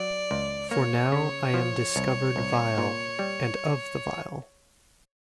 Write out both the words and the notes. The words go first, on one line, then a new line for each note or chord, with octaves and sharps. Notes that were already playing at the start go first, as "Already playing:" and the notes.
For now I am discovered vile, and of the vile.
Already playing: F#3 D5
C#2
A#3 C#5
C#3
F3
C2
C2
A#2
G3